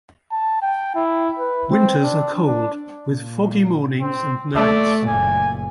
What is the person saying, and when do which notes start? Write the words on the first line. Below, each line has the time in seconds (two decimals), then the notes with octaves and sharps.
Winters are cold with foggy mornings and nights.
0.32 A5
0.62 G5
0.95 E4
1.39 B4
1.71 C4
2.03 D4
2.47 D4
3.09 A#2
4.00 C4
4.56 A3 D5
5.07 F#1 A#2 G#5